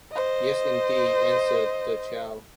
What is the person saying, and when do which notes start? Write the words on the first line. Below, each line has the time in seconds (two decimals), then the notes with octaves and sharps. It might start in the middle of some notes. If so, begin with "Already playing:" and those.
"Yes, indeed;" answered the child.
0.12 C5 D#5